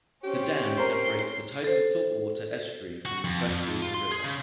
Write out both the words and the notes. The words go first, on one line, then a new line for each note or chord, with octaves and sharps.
The dam separates the tidal salt water estuary from the fresh water river.
C4 C#4 G4
A#4 C5 C6
A4 C5
F#4
F2
F2
F4
C6
G#4
C#3